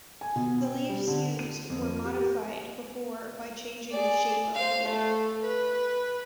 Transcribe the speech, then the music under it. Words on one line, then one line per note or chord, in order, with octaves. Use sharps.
The leaves used were modified before by changing the shape of the leaf.
G#5
B2
G5
G3
D3
D#7
F2
G4
A#4
G#4 D5
C5 F5
A3 A4
B4